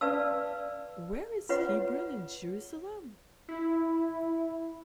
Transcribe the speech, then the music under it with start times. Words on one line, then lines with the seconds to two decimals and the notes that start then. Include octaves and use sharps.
Where is Hebron and Jerusalem?
0.01 B4 D5 F5 A5 E6
1.49 F4 B4 C#5 F#5
3.48 E4